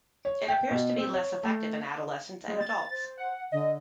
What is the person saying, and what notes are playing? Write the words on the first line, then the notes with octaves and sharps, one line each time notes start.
It appears to be less effective in adolescents and adults.
C#5
G5
B2
C4
C#5
A3
G#3
A6
C5
F#5
D3 D#5